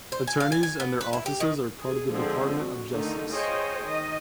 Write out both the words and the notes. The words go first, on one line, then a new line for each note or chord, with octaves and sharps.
Attorneys and their offices are part of the Department of Justice.
C5
G#5
F5
G#5
G#5
B3
B4
E4
G4
D#3
G#4
D3 F3 G#3 C4 G#4
F#4
D3 D#3 A3 D#4
F4 G#4 C5 C#5 D#5 G5
D#3 D#5